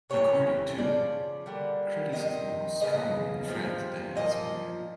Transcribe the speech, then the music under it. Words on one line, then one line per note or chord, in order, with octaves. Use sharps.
According to ', criticism was stronger in France than elsewhere.
C3 E3 A3 C#5
C#3 F3 D5
D3 G3 A#3
C3 D#3 D#5
C#3 F3 G#3 B3 D#5
C3 F3 A3
A#2 F3 A#3 D#5